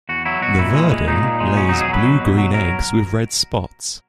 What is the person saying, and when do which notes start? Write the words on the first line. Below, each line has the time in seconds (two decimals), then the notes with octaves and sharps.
The verdin lays blue-green eggs with red spots.
0.09 E2 F#4
0.25 F#3 E4
0.42 B2 F#4
0.59 A#2 E4
0.75 G#3
0.92 G#3
1.08 A#2 D#4
1.23 A#2
1.40 G#3
1.56 B2 C#4
1.69 F#3 D#4
1.81 G#4
1.89 F#3 B4
2.05 B2
2.21 B2
2.38 F#3
2.54 F#3 A#4